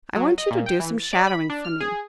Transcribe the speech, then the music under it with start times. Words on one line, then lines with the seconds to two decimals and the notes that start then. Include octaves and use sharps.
"I want you to do some shadowing for me."
0.16 F#3
0.38 D#5
0.51 A#2
0.66 G5
0.80 E3
0.99 A6
1.13 D5
1.27 B5
1.50 D4
1.65 F6
1.81 G#4